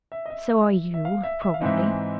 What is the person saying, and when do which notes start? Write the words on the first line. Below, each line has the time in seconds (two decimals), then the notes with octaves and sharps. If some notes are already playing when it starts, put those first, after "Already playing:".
So are you, probably.
0.12 E5
0.26 D#5
0.30 E5
0.94 E5
1.05 F5
1.23 E5
1.42 E5
1.54 F5
1.61 G#2 E3 G#3 C4 D#4 E5